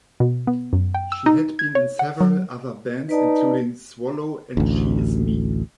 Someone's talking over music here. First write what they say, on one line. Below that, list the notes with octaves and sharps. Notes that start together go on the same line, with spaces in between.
She had been in several other bands including "Swallow" and "She Is Me".
B2
B3
F#2
G5
E6
D#4
G#6
C#5
F#5
F#3
D#4 B4 D5 A5
A1 D2